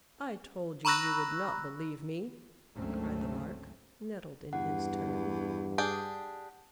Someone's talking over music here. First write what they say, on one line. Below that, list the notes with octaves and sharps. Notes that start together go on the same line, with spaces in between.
"I told you you would not believe me!" cried the Lark, nettled in his turn.
A#5 B5 C#6 E6 F#6 A#6
G#1 D2 F#3 A3 C4 C#4
E2 G2 F#5
D4 G4 G#4